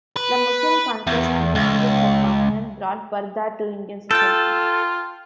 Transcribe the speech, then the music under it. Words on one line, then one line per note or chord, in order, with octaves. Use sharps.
The Muslim conquest in the Indian subcontinent brought purdah to Indian society.
B4
E2
C#2
F4 A4 G5 A5